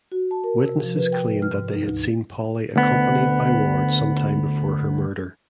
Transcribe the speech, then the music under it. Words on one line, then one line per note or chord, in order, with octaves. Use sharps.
Witnesses claimed that they had seen Polly accompanied by Ward sometime before her murder.
F#4
A5
A#4
C3
F3
B4
G5
F6
G#2
D#4
D2
D2 B3